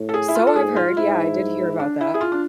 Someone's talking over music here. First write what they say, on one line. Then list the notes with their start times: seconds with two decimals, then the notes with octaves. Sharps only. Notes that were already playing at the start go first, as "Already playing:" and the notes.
So I've heard, yeah, I did hear about that.
Already playing: A2
0.09 A4
0.14 G#4
0.28 E4
0.35 F4
0.47 A4
0.55 G#2 G#4
0.76 F4
0.97 G#2 E4
1.79 D4
2.01 E4
2.14 G#4
2.21 F4
2.32 D4